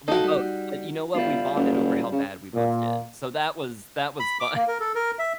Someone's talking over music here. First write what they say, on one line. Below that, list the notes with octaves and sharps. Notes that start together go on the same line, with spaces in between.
We both, uh, you know what, we bonded over how bad we both did, so, that was that was fun.
A#3 D#4 F#4 A4
G3
G1 G3 E4 F4
F#1
C#3
A#2
B5
D6
A#3
A#4
A4
A#4
E5